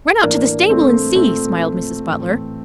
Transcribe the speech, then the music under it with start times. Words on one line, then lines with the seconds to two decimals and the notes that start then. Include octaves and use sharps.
"Run out to the stable and see," smiled Mrs. Butler.
0.23 A2 E3 A#3 D4
0.69 A3 C4
1.15 A#2 A3 C4
2.07 A2 E3